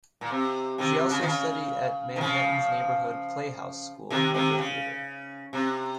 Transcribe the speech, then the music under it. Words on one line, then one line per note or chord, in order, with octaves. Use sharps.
She also studied at Manhattan's Neighborhood Playhouse School of the Theatre.
A#2
C3
C3 D#3
C3
C#3
D#3
C#3
D#3
C#3 F3
C3 D#3
C3 D#3
C#3
C3